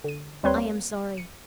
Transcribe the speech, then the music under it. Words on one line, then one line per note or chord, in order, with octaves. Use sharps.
I am sorry.
D3 D#7
D#2 G3 C4 B4 C#5 C6
A#3
C#7 D#7